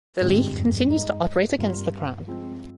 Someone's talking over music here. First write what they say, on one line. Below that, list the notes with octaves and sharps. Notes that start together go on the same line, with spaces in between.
The League continued to operate against the crown.
G#2 D3 F3 G#3 C4 G4
G#2
G2
F2
G2
F2
G2 G#3 D#4 G#4
G2 C3 G3 A#3 F4
F3 G#3 C4